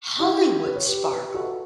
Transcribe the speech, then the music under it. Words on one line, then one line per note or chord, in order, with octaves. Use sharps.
Hollywood sparkle.
E4 G4
B4
C#5
G4 B4
G4 B4
F#4 A4